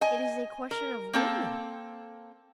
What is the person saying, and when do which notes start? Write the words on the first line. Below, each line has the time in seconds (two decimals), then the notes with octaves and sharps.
It is a question of women.
0.01 D#5 G#5
0.71 A#4
1.13 A#3 C4 A4